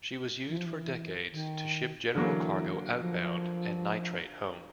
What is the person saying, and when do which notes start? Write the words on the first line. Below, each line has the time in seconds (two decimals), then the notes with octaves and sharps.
She was used for decades to ship general cargo outbound and nitrate home.
0.47 E3
0.57 F3
0.66 E3
1.32 D#3
2.15 D3 E3 F#3 A#3
2.99 F3